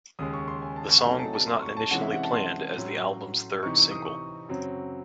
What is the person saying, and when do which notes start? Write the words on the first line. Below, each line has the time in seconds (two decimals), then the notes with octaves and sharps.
The song was not initially planned as the album's third single.
0.19 D#2 C#3 G#3 D#6
0.33 C#6
0.48 C6
0.62 G#5
0.76 A5
0.91 C#6
0.98 F#5
1.05 C3 F#3 A3 D#4 G#5
1.19 A5
1.34 A5
1.48 C6
1.62 C#6
1.77 A5
1.91 C3 E3 G#3 C#4 F#5
2.02 E5
2.12 F#5
2.23 A5
2.34 C6
2.77 A2 F#3 C#4
3.63 C3 E3 C4 D#4 C#6
3.77 C#6
3.91 D#6
4.05 C#6
4.48 F#2 C#3 F#3 C4